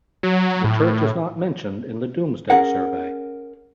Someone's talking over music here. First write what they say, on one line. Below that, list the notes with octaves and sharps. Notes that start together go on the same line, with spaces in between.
The church is not mentioned in the "Domesday" survey.
F#3
A2
C#4 G#4 A#4 F#5